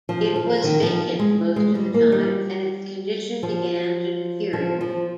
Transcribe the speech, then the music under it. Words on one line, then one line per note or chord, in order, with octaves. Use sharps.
It was vacant most of the time and its condition began to deteriorate.
F3
F3
D#3
F3
G#3
G#3
G3
A#3
G3
F3
F3
F3